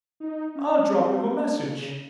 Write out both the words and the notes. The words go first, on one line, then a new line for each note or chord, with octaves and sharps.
"I'll drop him a message!"
D#4
C#4
C4
A#3
C#3